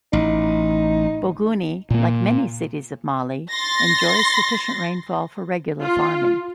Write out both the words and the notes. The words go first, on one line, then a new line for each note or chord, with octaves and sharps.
Bougouni, like many cities of Mali, enjoys sufficient rainfall for regular farming.
A1 D#4
A#2 A#3
C6 A6 A#6
F4